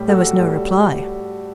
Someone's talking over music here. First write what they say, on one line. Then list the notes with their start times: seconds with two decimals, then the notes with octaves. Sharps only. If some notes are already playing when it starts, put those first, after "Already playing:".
There was no reply.
Already playing: A2 G3 G4
0.09 F#4 A4
0.40 A2 G3